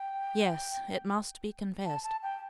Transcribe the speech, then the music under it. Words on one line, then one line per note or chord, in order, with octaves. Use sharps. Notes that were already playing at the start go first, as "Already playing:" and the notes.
Yes, it must be confessed.
Already playing: G5
A5
A5
G5